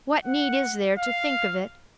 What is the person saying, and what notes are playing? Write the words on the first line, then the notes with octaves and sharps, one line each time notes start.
What need is there to think of it?
F#5
F5